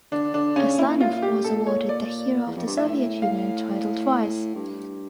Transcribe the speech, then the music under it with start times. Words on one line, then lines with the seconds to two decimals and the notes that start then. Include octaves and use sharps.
Aslanov was awarded the Hero of the Soviet Union title twice.
0.12 D3 D4
0.34 D3 D4
0.56 C#3 C#4
0.78 A#2 E4
1.01 F4
1.22 G4
1.44 A4
1.67 C#5
1.89 D5
2.46 E2
2.56 F2
2.66 G2
2.77 A2 E5
3.22 F5
4.55 G2